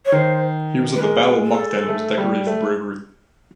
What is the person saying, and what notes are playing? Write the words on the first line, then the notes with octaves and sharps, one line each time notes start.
He was at the Battle of Mukden and was decorated for bravery.
C#5
D#3 C5
B4
G#3 A#4
A4
A3
G3
A3